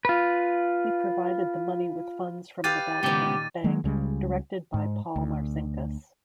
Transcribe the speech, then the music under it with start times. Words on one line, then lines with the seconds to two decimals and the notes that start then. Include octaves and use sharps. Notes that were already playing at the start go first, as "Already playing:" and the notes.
He provided the money with funds from the Vatican Bank directed by Paul Marcinkus.
0.05 F4 B4
2.64 G4 B4 F5 A6 D#7
3.03 C#2 A#2 D#3 B3 G4 G5
3.64 D#3 F#3 G#3 A#3
3.84 C#2 C#3 G3 G#3
4.74 G#2
5.16 D2